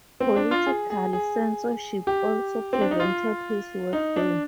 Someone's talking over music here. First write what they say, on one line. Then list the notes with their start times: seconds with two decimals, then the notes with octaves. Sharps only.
Political censorship also prevented his work there.
0.21 C4
0.36 D4
0.51 F4
0.66 G#4
0.90 G#4
1.13 G#4
2.07 G4
2.73 C4
2.81 D4
2.91 D#4
3.00 F4
3.93 D#4
4.16 D4